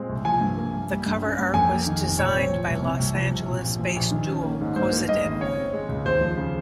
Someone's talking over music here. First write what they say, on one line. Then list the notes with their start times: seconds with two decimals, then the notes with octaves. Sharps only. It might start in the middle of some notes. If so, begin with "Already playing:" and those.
The cover art was designed by Los Angeles-based duo kozyndan.
Already playing: A#2 G#3 C4
0.09 C2
0.25 F3 G#5
0.41 G2
0.57 A#3
0.73 G2
0.90 G3
1.06 G2
1.22 C#4
1.38 G2
1.53 F2 G#5
1.70 A#3
1.86 D#3
2.02 F1
2.18 A#2 C#5
2.34 C4
2.51 F3
2.67 C2
2.82 C3
2.99 C2
3.15 F3
3.31 C2
3.47 A#2
3.64 A#1
3.79 F3
3.96 A#1
4.11 D#3
4.28 C#4
4.43 A#3
4.61 G#2
4.76 G2 C5
4.92 A#3
5.08 G3 D#5
5.25 G#1
5.41 C#3 C#5
5.57 C4
5.73 G#3
5.89 C#2
6.05 D#2 C5
6.21 F3
6.37 C#3